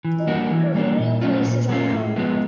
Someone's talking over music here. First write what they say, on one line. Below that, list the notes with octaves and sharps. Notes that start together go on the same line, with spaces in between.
Her burial place is unknown.
E3
G3 A#3 D4 F#4
E3
G3 A#3 D4 F#4
A#2
F#3 A3 C#4 F4
A#2
F#3 A3 C#4 F4
A2
F3 G#3 B3